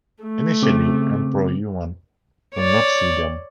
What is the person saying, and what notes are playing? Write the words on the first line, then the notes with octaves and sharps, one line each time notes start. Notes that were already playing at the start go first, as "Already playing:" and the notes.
Initially, Emperor Yuan would not see them.
A3
C#3 C4 D6
C#5 D5